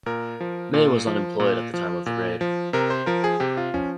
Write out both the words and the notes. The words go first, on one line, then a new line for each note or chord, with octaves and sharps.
Maye was unemployed at the time of the raid.
A#2 A#4
F3
A#2
F3
A#2
F3
A#2
F3
C3 A#4
C5
F3 A#4
G#4
C3 G4
F4
F3 C#4